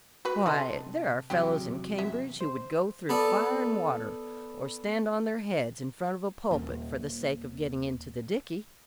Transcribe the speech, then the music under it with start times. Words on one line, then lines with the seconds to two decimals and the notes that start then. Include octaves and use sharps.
Why, there are fellows in Cambridge who would go through fire and water, or stand on their heads in front of a pulpit for the sake of getting into the Dicky.
0.25 A#3 F#4 B4
0.46 C3 D4 A4 D#5 A5 C6
1.30 E2 C3 F#3 G#3 F4 G4
1.98 C#3 E5
2.41 C5
3.09 B3 A4 D5
6.51 D#1 A#3